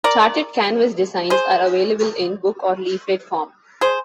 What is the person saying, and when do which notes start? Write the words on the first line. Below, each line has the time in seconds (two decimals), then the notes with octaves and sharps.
Charted Canvas designs are available in book or leaflet form.
0.04 A#4 D5
1.30 G#4 C5
3.81 G#4 C5